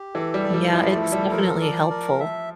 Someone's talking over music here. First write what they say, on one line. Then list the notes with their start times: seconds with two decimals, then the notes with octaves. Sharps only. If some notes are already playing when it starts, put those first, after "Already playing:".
Yeah, it's definitely helpful.
Already playing: G4
0.15 E3 A4
0.34 G3
0.44 D5
0.54 G3
0.73 F3 E4
0.93 A3
1.02 A4
1.12 G3
1.32 F3 A#4
1.61 D5
1.90 A#4
2.20 E5